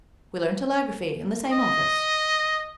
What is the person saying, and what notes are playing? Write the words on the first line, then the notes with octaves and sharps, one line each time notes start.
We learned telegraphy in the same office.
D#5